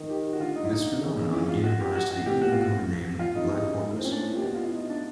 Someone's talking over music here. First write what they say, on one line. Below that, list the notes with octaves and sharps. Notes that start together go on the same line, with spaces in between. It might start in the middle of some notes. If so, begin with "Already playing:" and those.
This phenomenon gave rise to the earlier common name, black porpoise.
Already playing: D#3
G4
F#4
D3 F4
D#4
E4
D#4
C#3
E4
F4
F#4
G4
F#4
F#4
A2 G4
F#4
F4
F#4
F4
F2 D#4
E2 E4
D#4
F#2
G#2
A2
C4
A#2 C#4
A2 D4
A2
A#2 G4
B2 F#4
F4
E4
D#4
D4